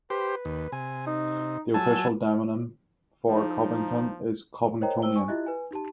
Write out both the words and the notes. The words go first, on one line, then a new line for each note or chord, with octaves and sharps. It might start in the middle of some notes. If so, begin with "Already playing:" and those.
The official demonym for Covington is Covingtonian.
G4 B4 C5
D#2
C3 G#5
D#4
F#3 G#5 A5 E6
F3 D#4
A#4 C5 C#5 D#5 G5 A#5
C5 G5 E6 G7
G#5 C#6
E4 F4 G4 D#5 E5 F#6
B4 G#5
D#4 G4 A5